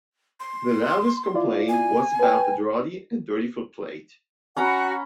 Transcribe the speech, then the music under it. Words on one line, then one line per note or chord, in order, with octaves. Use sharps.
The loudest complaint was about the draughty and dirty footplate.
C6
E4 F4 D5
G#5
B4 G5
C#4 F#4 F#5 A#5 B5